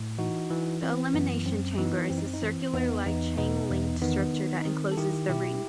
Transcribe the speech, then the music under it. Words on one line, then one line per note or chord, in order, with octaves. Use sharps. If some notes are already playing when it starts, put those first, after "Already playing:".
The Elimination Chamber is a circular-like chain-linked structure that encloses the ring.
Already playing: A2
E3 D#4 F#4
E3
E3 C4
F#2 B3
F#2 C4
E3 B3 D#4
F#2 C4
D#4
C4
D#4
E3 C4
E2 B3 D#4
E2 B3 D#4
B2 B3 D#4
E2
D#3 B3 D#4
D#3
D#4
D#3 C4
A4
D#3 E4 G4
B2 E4 G4